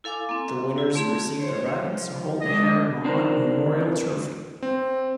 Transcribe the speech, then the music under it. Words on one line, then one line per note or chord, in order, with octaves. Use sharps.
The winners receive the right to hold the Harry Mahon memorial trophy.
E4 A4 F5 G#5 D6
A#3 C4
E4
A3 C4 G#4
C5 C#5
F3
G#3 D4 D#5
C4 D4 D#4 G4 A#4 C5
C4